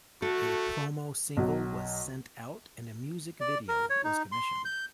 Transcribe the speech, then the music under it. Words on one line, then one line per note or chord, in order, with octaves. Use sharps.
A promo single was sent out and a music video was commissioned.
A3 F#4 A4
B1 F#3
D5
A#4
C#5
D#4
C6
G6